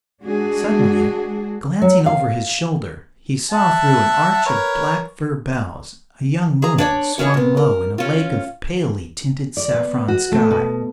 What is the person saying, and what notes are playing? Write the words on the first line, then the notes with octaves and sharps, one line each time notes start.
Suddenly, glancing over his shoulder, he saw through an arch of black fir boughs a young moon swung low in a lake of palely tinted saffron sky.
G#3 D4 F#4 G#4
F#3
F5
E5 F#5 A5
A#4 B4 C#5
G#4 A#5
D4 C#5 D5
E3 C#4 D4 C#5 D#5
A#2 B3
A#4
C#4 F4
D5
B3
F#4
A3
B2